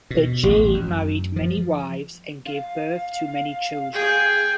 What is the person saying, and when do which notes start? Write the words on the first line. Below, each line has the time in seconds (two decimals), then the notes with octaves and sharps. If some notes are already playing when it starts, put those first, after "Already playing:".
Ajayi married many wives and gave birth to many children.
0.10 B2
0.43 A1
0.74 F#2
1.36 F3
2.46 F5
3.93 G#4 G5